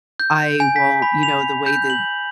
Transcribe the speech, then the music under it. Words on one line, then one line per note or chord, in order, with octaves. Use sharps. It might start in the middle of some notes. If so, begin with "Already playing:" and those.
I won't" You know, the way the
G6
G#5
B6
B5
F7
G6
F#7